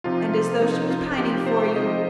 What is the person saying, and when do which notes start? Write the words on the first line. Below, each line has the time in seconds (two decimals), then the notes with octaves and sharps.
"And as though she was pining for you."
0.04 C3 F3 D#4 F4
0.61 C3 F3 D#4
0.90 F4
1.18 C3 F3 D#4 G4
1.46 C5
1.75 C3 F3 D#4 D#5